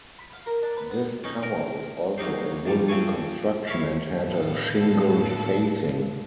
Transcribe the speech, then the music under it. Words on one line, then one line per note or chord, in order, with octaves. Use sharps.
This tower was also a wooden construction and had a shingled facing.
B5
F5
A#4
D4
B4
B3
C#4 D#4
A#4
F#3 A#3 D#4 C5
G#2 F3 G3
C#3 F3 C4 E5 G#5 C#6
E4 C#5 E5 F5
D#2 A2 D3 B3 A4 F5